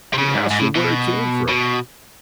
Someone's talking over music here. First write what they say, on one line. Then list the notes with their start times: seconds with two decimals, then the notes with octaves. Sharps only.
They asked him where he came from.
0.14 C3
0.18 C#3
0.34 G#2
0.51 G#2
0.59 A2
0.75 B2
1.49 B2